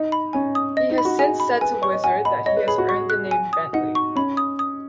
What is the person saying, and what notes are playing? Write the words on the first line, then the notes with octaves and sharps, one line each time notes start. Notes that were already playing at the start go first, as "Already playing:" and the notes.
He has since said to Wizard that he has earned the name "Bentley".
Already playing: D#4 D#5
B5
C#4 G#5
D#6
D#5
D#4
B5
F#4
G#4 G#5
B5
B4 G#5
B4
C#5 C#6
D#5
F#5 G#5
D#5 B5
C#5 D#5
B4
G#4 B5
F#4
C#6
F#6
G#5
D#6
D#4 F#5
C#6
C#4 B5
D#6
D#6